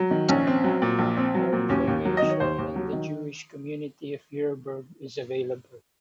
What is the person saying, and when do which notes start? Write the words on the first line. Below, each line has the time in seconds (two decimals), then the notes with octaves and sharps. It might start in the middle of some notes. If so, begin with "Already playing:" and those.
More information on the Jewish community of Yurburg is available.
Already playing: F#3
0.11 D#3
0.28 A#1 C#4
0.47 C4
0.64 F#3
0.82 A#2
0.99 A#1
1.17 C4
1.34 F#3
1.52 A#2
1.69 D#2 C#4
1.88 D#2
2.05 F#3
2.17 D#3 D#5
2.29 C#5
2.40 D#2 C5
2.58 D#2
2.75 F#3
2.92 D#3